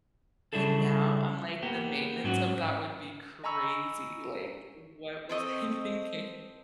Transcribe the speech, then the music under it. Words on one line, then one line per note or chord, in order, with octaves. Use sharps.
and now I'm like, "The maintenance of that would be crazy," like, what was I thinking?
C#3 G3 D4 E4 G#4 A4
A#3 B3 G4
G#2 F#3 C#4 F#4
D#5 G#5 A#5 B5 C#6 E6
C4 A4 D#5 C#6